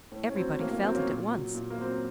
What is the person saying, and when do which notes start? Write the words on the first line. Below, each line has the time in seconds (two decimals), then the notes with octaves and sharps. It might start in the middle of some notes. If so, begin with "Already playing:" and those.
Everybody felt it at once.
0.12 A2
0.30 C#4
0.36 F#3 C4
0.59 A2 A#3
0.71 A#3
0.83 F#3 C4
0.95 A#3 C#4
1.07 A#2
1.31 F#3
1.54 A#2
1.70 A#3
1.78 F#3 C4
1.91 C#4